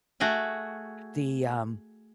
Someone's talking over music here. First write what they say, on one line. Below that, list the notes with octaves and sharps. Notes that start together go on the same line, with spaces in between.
the, um
A3 F#4 G#4 G5